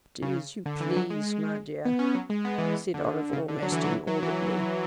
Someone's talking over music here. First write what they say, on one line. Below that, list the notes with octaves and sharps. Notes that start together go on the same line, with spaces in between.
"Do as you please, my dear," said Olive, almost inaudibly.
C#3
D3
E3
F#3
G#3
B3
C#4
F#3
G#3
B3
E3
D3
C#3
D3
F#3
E3
F#3
F#3
E3